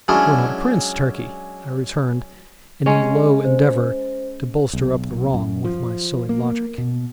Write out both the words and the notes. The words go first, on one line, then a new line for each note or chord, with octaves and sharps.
"But you're not a prince, Turkey," I returned, in the low endeavour to bolster up the wrong with my silly logic.
F#3 G#3 C#4 D4 E4
G#3 C#4
C5
B1
F#2
F3
A#3
B2